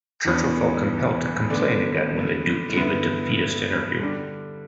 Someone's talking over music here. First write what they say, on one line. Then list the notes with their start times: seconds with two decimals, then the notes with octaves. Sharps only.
Churchill felt compelled to complain again when the Duke gave a "defeatist" interview.
0.25 E2 E3 B3 D4
1.50 D3 B3 D4
2.74 G2 D3 B3 E4
3.99 D3 G3 D4